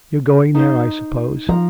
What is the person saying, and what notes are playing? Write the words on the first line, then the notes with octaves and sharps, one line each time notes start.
You're going there I suppose.'
D#4 C5
F3 A#5